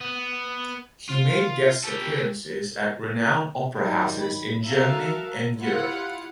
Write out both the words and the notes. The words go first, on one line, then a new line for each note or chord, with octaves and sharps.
He made guest appearances at renowned opera houses in Germany and Europe.
B3
F4
G4 A4
D#3 F#3 G3
B5
F#4 A4 A#4 E5 F5
E4 F4 G4 F5 F#5 B5